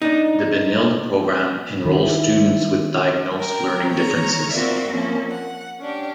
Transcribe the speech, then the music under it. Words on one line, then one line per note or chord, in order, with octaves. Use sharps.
The Benilde Program enrolls students with diagnosed learning differences.
D4 D#4
D#3 E4
A#4 G5
C#5 A#5
C4 F4 F#4 A#4 D5 E5
F3 A#3 C4 C#4
F#5
C#4 D4 G4